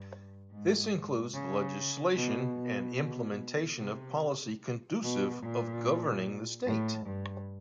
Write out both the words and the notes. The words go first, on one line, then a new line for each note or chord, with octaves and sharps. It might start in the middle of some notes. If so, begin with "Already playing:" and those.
This includes the legislation and implementation of policy conducive of governing the state.
Already playing: G2
G#2
C#3
B2
B2
C3
B2
A#2
A2
G2